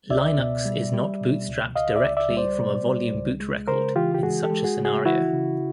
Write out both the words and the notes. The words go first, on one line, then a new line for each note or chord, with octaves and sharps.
Linux is not bootstrapped directly from a Volume Boot Record in such a scenario.
C#2 D5 E5
B2
G3
G3
B2
C#2
C#2 D#5 F5
D5 E5
C#2
D5 E5
G3
C5 D5
B2
G3
C#2
G#3
C#3 A#4 C5
E3 F4 G4
G4
G#3 F#4 G#4
G4 A4
G#3
F#4 G#4
C#3
F#4 G#4
E3 E4 F#4
C#3